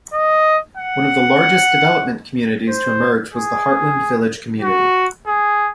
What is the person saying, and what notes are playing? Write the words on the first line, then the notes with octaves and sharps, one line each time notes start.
One of the largest development communities to emerge was the Heartland Village community.
D#5
F#5
C5
G#4
F#4
G#4